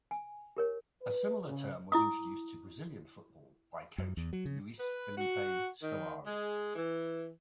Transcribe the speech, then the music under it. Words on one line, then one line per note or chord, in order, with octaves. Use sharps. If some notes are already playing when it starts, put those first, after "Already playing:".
A similar term was introduced to Brazilian football by coach Luis Felipe Scolari.
G#5
G4 A#4 C#5
B4
C#3
E4 D6 D#6
F#2
E2
F#3
C#3
B4
F#4
D#3
G#3
E3